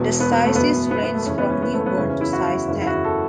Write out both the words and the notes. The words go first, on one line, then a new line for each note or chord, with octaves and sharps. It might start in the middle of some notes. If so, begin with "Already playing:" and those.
The sizes range from newborn to size ten.
Already playing: E1 E2 B2
B3
B3
A3
F#1 E2 B2 B3
B3
B3
A3
F#1 E2 C#3 E3 C#4
B3
C#4
B3
A3
B3
F#1 E2 C#3 E3 C#4
C#4
E4
F#4
F#1 E2 C#3 E3
E4
F#4
A4